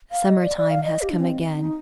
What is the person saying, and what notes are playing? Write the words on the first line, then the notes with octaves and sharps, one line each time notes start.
Summer-time has come again.
F5
D#5
D5
D5
F5
D#5
G4
D4
C4
D#4